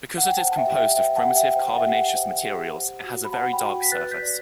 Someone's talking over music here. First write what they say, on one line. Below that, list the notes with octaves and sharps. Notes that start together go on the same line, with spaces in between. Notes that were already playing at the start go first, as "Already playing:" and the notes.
Because it is composed of primitive carbonaceous materials, it has a very dark surface.
F#5
G5
C5 F#5 A5
A5
E5 G5
G4
E5 G5
C5 E5 G5
F#5 A5
G4
E5 G5
C5 G5
F#5
E5
G4 F#5
C5
G4
C5
F#4
B5
C5 F#5 A5
G5 B5
F#4
B6
B4 F#6 A6
G6 B6
D5